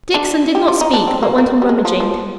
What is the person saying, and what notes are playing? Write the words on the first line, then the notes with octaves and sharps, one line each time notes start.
Dixon did not speak, but went on rummaging.
D4
G4
F4
D#4
D4
C4
A#3
A#3
G3
G#3
F3
F3